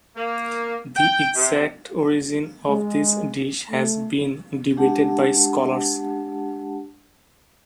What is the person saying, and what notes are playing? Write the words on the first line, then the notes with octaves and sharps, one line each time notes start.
The exact origin of this dish has been debated by scholars.
A#3
G5
C3
G#3
A3
G#3 D4 G4 F#5 A5